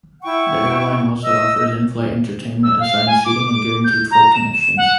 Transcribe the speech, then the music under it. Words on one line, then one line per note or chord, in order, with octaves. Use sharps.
The airline also offers in-flight entertainment, assigned seating and guaranteed flight connections.
E4 F#5 G5 C#6
D#5 E6
E6
F5
G#5
D6
D6
G6
A#5
E7
E7
F#5